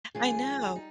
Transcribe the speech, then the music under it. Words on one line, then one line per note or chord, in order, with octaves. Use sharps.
I know,
F2 D#3 G#3 C#4 F4 G#4
G3 D#4